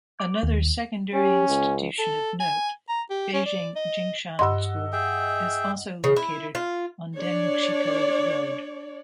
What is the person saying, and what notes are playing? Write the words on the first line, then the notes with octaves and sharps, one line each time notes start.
Another secondary institution of note, Beijing Jingshan School, is also located on Dengshikou Road.
D6
D#2
C#4 G4
C#2
A4
G#5
A#5
G4
C#4
D5
D#5
G2 D#5 F#5 C6 E6
G#4 E5 G5
C#3
E4
F4
D4 C#5 D5